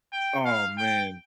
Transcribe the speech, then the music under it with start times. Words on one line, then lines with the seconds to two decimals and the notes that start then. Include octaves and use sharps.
Oh, man.
0.13 G5
0.45 F5
0.78 G5